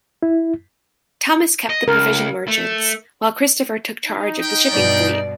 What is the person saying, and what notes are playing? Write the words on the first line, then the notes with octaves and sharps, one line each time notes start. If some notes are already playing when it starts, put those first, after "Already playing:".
Thomas kept the provision merchants, while Christopher took charge of the shipping fleet.
E4
D#5
C#2 A#4
A3
D#4
B4 G5
G2 B2 D5